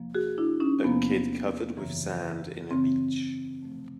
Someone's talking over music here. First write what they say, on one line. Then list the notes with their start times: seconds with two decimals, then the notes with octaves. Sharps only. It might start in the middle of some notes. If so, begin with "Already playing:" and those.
A kid covered with sand in a beach.
Already playing: E2 C3 F3 A#3
0.14 F#4 G#4
0.38 D4 E4
0.60 C#4 D#4
0.84 E2 C3 F3 A#3 B3
1.77 F#2 C#3 E3
2.71 F#2 C#3 E3 C4
3.63 C3 F3 A3